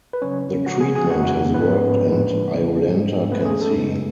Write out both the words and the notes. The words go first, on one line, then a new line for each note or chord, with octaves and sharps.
The treatment has worked and Iolanta can see.
B4
C#3 F#3 C#4 C#5
C#3 F3 G#3 F#4 F#5
G#4 G#5
G#4 G#5
F2 C#3 G#3 C#4 F#4 F#5
G#2 F3 G#3 B3 C#4 B4
A2 F3 G#3 D4
C#3 F#3 A3 C#4
G#2 F3 G#3 B3 D4
B2 A3 B3 C#4 B4
G#4
A4
F#2 C#3 G#3 B3